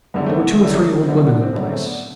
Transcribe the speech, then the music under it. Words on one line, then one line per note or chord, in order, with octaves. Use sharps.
There were two or three old women in the place.
F#1 F#2 D3 G3 B3
A3 C4
B3
A3
F#1 F#2 D3 G3
C4
F#1 F#2 D3 G3 B3
D4
C4
F#1 F#2 D3 G3 B3
A3 C4
B3 D4